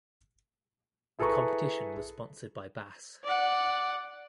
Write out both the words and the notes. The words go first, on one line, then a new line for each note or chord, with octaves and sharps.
The competition was sponsored by Bass.
E4 G#4 A4 B4 A#5 C#6
D5 F#5